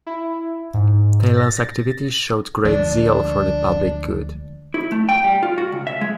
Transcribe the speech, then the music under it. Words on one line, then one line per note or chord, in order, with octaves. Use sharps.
Talon's activity showed great zeal for the public good.
E4
G#2
A6 A#6
D2 F3 G#3 D4
E4
A3
G5
G3
F4
F#4
C#2
E5
G#3